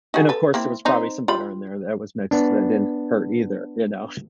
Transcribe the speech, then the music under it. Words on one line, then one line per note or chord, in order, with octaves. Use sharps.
And, of course, there was probably some butter in there that was mixed that didn't hurt either, you know.
D#4 F#4 G#4
A4 B4
A#3 C4 E4
C4 D#4 C5
F4 G4 B5
B3 D4